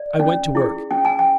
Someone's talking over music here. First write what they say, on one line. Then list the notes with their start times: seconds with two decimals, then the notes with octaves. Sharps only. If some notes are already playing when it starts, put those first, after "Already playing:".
I went to work.
Already playing: D5
0.20 C#4
0.55 E4 G#4
0.91 C#4 G5
1.05 G#5
1.19 G5